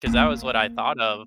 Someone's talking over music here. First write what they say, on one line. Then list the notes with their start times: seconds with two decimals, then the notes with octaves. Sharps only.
'Cause that was what I thought of
0.06 A#3